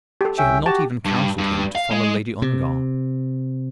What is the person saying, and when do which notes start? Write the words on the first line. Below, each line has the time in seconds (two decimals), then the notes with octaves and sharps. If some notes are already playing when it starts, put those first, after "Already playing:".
She had not even counselled him to follow Lady Ongar.
0.21 G4 A4
0.38 C2 C#4 E5 G5
0.66 F#4 G4 A5
1.05 G2
1.38 G2
1.75 F5
1.91 G#3
2.42 C3